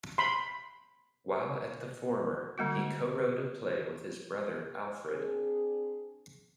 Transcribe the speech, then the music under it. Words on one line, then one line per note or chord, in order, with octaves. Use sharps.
While at the former, he cowrote a play with his brother, Alfred.
B5 C6
D3 G3 A#3 F#4
C4 D4 G#4